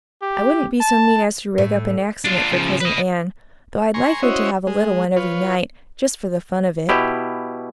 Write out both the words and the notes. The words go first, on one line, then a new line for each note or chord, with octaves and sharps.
"I wouldn't be so mean as to rig up an accident for Cousin Ann, though I'd like her to have a little one every night, just for the fun of it."
G4
A5
A2
D4 F4
C#3 F3
B4 D#5
G#5 A#5 C6 C#6
C#4 E4 F#4 C5 C#5 D#5
G#3
F4 B4 C#5
B2 E4 G4